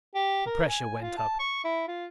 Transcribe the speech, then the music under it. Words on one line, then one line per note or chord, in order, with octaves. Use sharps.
The pressure went up.
G4
A#4
G#5
F4
A5
C#6
E4
F4